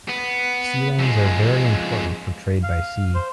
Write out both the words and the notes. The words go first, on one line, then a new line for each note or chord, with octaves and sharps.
Sea lanes are very important for trade by sea.
B3
F2 G#3
F5
C5